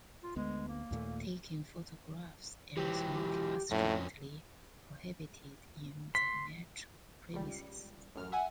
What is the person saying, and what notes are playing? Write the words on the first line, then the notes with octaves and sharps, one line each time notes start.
Taking photographs and smoking are strictly prohibited in the metro premises.
F4
D2 G#3 B3
A#3
D#2 A#2 A3
E3 F#3 G4
F2 A2 C#4
C6 B6
C#2 G3
A1 F#2 F6
E5 F#5 G#5